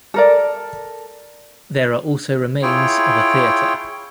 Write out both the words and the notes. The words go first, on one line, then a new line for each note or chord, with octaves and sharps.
There are also remains of a theatre.
A4 A#4 D5
E4 F4 G#4 C#5 G5